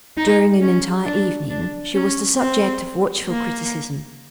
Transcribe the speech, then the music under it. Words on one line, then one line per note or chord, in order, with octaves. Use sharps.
During an entire evening she was the subject of watchful criticism.
D#4
C#4
D4
D4
C#4
C4
A#3